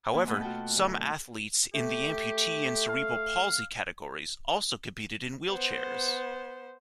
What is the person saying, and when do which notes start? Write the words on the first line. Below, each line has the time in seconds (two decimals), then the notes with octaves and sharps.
However some athletes in the amputee and cerebral palsy categories also competed in wheelchairs.
0.13 A#2 E3
0.27 B2 A3 D#5 F#5 B5
0.42 F4 F#4 F#5 G5 A5
0.76 F#2 D3 E4 A4
1.74 A3 G4
2.88 F5
5.49 B3 C5